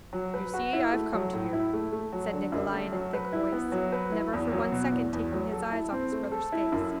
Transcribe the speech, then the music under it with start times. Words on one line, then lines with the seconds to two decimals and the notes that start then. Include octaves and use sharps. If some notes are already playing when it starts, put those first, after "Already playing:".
"You see, I've come to you," said Nikolay in a thick voice, never for one second taking his eyes off his brother's face.
0.13 F#3
0.34 B4
0.54 F#4
0.73 E4
0.93 A3
1.13 F#3
1.33 A2
1.53 E4
1.73 A3
1.92 A3
2.12 F#3
2.33 D3
2.52 F#2
2.72 A3
2.92 F#3
3.13 B4
3.33 E4
3.52 B3
3.72 F#3
3.92 B4
4.12 E4
4.33 E2
4.52 F#3
4.72 B2
4.92 E2
5.13 E2
5.32 F#3
5.52 A4
5.72 E4
5.92 C4
6.12 A3
6.32 A4
6.52 E4
6.72 F#2